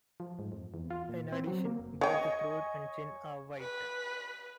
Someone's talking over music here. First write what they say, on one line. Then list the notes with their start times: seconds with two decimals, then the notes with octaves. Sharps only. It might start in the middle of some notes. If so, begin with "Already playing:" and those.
In addition, both the throat and chin are white.
0.20 F3
0.39 G#2
0.52 F2
0.74 E2
0.90 F4
1.09 A#2
1.32 C4
1.47 F#3
1.65 A#3
1.79 F1
2.01 C#5 D#5 F5 G5 G#5
3.59 B4